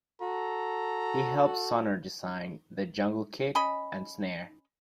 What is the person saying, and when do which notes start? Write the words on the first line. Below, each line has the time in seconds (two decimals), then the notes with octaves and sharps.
He helped Sonor design the Jungle kit and snare.
0.21 F#4 A4 A#5
3.55 C#4 D#5 B5